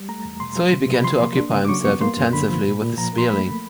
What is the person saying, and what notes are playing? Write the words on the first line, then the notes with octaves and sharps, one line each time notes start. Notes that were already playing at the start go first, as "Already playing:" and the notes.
So he began to occupy himself intensively with the Speierling.
Already playing: G3
A3 A#5
E2
B2 C6
F#3
C3
C3
B5
F3 C6
A#3
D4
C#3
D6
F#3 C#6
B3 C#6
A#3 C6
F#2
D3 B5
F3
A#2
A#2
F3 A#5
A#3 C6
A3 B5